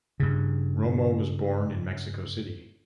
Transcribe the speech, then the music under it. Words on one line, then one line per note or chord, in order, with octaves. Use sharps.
Romo was born in Mexico City.
G2 C#3